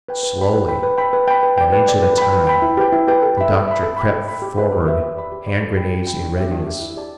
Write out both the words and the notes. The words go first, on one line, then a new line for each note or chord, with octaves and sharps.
Slowly, an inch at a time, the doctor crept forward, hand-grenades in readiness.
B4 G5
B4
G5 B5
B4
G5 B5
B4
G5 B5
B4
G5 B5
B4
D5 G5
B4
D5 G5
B4
G5 B5
B4
G5 B5
E4
G4 B4 G5
E4
G4 B4 G5
A4
E5 B5
A4
E5 B5
A4
G5 B5
A4
G5 B5
G4
B4 E5 B5
G4
B4 E5 B5
G4
D5 B5
G4
D5 B5
A4
G5 B5
A4
G5 B5
D4
G4 E5
D4
G4 E5
E4
G4 D5 A5